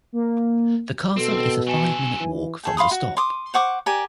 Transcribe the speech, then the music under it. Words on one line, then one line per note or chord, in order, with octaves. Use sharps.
The castle is a five-minute walk from the stop.
A#3
B2 C4 A4
F#3 A4 G#5
E3
G#4 A4 G5
F5 B5 C6 D#6
F#4
C6 D6 D#6
C5 F#5 C#6 D6
G4 A#4 D5 G#5